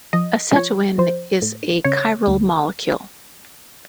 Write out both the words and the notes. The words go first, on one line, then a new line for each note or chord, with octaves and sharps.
Acetoin is a chiral molecule.
F3 D#5
F3 C#5
F3 C5
A2
C#3 C#5
D2